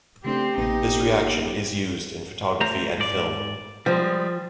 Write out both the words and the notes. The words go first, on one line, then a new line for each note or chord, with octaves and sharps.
This reaction is used in photography and film.
C#3 A3 C4 D4 G4
A1 C3 A#3 B3 D#4
A3 C5 A#5
G#2 D5
F3 G3 G#3